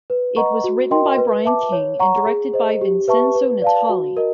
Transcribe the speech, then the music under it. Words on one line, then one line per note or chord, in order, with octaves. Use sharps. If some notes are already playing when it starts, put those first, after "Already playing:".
It was written by Brian King and directed by Vincenzo Natali.
B4
D#5 F#5 A#5 C#6
F#4
A#4 D#5 G5 C6
B4
E5 A5 D6
C#5
F#5 A#5 C#6
G#4
C5 D#5
G4
B4 E5 A5 C#6
B4
D5 F5 A5
F#4
A#4 D#5